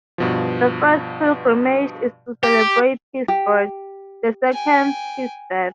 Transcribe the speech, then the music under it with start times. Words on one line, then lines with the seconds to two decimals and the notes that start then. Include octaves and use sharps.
The first pilgrimage is to celebrate his birth, the second his death.
0.18 G2 B2 F3
2.43 G4
3.28 G4
4.52 G5 G#5